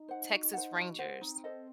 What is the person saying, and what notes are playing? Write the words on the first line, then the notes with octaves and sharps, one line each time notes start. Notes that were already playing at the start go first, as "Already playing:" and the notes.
Texas Rangers
Already playing: D#4
C5 F#5
F#4
C5 F#5
F#4
C5 F#5
C4 D#4
A4 C5 D#5